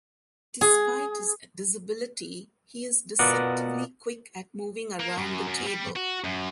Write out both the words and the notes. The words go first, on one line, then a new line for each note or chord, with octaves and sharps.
Despite his disability he is deceptively quick at moving around the table.
G#4
B2 B3 F4 A#4 D5 F#5
A#3
F#2
F#2
G3
F#4
F#2